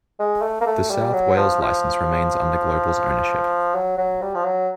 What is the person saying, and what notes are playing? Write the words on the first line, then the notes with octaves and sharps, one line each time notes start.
The South Wales licence remains under Global's ownership.
G#3
A3
A#3
A3
G3
F#3
F3
F3
F#3
F#3
G3
F3
F#3